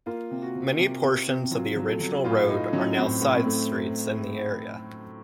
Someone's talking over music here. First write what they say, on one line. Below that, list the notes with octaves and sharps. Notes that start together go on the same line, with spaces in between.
Many portions of the original road are now side streets in the area.
A#3 F4
C3
F#4
C3
C3
C3
C3
F#3 F4
F#3
A4
F#3
A2 F4
A2 D#4
F#3 C#4
A2 C4
A2
C4
A3